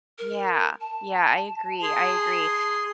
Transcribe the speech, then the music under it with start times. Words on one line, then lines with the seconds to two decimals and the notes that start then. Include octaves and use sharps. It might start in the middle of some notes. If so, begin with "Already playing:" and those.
Yeah, yeah. I agree, I agree.
0.18 A#4
0.81 A5
1.82 G#4 C6